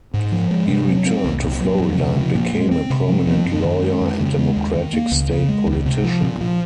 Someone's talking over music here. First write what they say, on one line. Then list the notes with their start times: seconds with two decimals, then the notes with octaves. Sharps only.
He returned to Florida and became a prominent lawyer and Democratic state politician.
0.14 G#2
0.32 F3
0.51 G#3
0.69 C3
0.87 F#3
1.06 C4
1.24 C2
1.42 A#2
1.61 F#3
1.79 F2
1.97 C3
2.16 F3
2.35 A#2
2.53 G#3
2.71 C4
2.90 C3
3.08 F3
3.27 C4
3.45 F#2
3.64 D#3
3.82 G#3
4.01 F2
4.19 C#3
4.38 G#3
4.56 D#2
4.75 D#3
4.93 A#3
5.12 C#2
5.30 C#3
5.49 G#3
5.66 C#2
5.86 C3
6.04 F3
6.22 A#2
6.41 F3